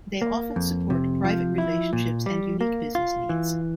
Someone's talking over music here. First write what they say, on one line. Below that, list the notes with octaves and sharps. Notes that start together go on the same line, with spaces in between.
They often support private relationships and unique business needs.
A#3
F2
C3
F3
E4
A#2
G3
A#3
F4
E3